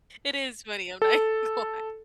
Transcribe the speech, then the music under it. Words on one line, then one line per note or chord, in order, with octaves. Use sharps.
It is funny, I'm not even gonna lie.
A4